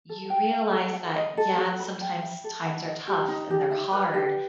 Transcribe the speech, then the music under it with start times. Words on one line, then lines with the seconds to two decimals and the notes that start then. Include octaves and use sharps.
you realize that, yeah, sometimes times are tough and they're hard,
0.09 A4
0.30 G5
0.51 E5
0.72 A4
0.94 F#5
1.15 D#5
1.37 A4
1.58 F#4
1.80 B5
2.01 G5
2.22 E5
2.44 A4
2.65 F#5
2.86 D#5
3.08 G4
3.28 D#4
3.50 G4
3.71 E5
3.92 B4
4.14 G4